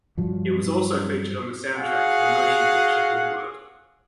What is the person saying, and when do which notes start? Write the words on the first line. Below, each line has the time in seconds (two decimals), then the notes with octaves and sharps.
It was also featured on the soundtrack for the motion picture "Bulworth".
0.18 G2 F3 F#3
1.75 F#4 G#4 F5 F#5